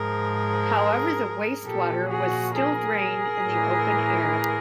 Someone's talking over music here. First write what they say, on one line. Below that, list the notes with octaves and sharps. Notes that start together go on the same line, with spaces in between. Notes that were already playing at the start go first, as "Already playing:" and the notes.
However the wastewater was still drained in the open air.
Already playing: G#2 F3 G#4 A#4
A#2 F3 G4 A4
F#4 G#4
G#4 A#4
A2 E3